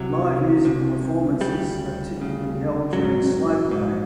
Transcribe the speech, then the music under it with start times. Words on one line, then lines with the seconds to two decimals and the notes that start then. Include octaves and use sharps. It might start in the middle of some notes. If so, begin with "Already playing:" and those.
Live musical performances are typically held during Slope Day.
Already playing: C2 C3 F#3
0.65 C2 C3
1.41 D2 C#3 G3
2.16 D2 C#3
2.93 A#1 G#2 F#3
3.69 A#1 G#2